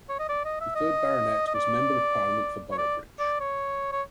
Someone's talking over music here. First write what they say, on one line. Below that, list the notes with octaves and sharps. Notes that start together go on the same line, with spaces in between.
The third Baronet was Member of Parliament for Boroughbridge.
C#5
D#5
D5
D#5
E5
D#5
D#5
D5
C#5
D5
D5
C#5
C#5